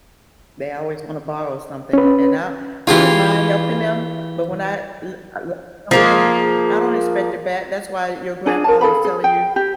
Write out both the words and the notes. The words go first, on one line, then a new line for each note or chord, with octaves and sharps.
they always wanna borrow something, and I I don't mind helping them, but when I l l some money, I don't expect it back, that's why your grandfather was telling you,
C#4 B4
E3 F4 G4 G#4 C#5
F3 A#3 G#4
D4 F4 G#4 D5
A#4 A5
G#4 A4 F5 B5
G#4
G5
G4